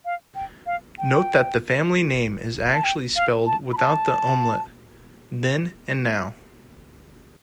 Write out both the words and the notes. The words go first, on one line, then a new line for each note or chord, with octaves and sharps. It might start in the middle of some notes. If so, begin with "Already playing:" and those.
Note that the family name is actually spelled without the umlaut, then and now.
F5
G5
F5
G5
A5
G5
F5
A5
B5
A5